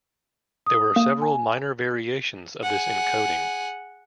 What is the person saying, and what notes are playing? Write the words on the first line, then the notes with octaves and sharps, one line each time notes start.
There were several minor variations of this encoding.
D#6
A#3
G#5
G#4 F#5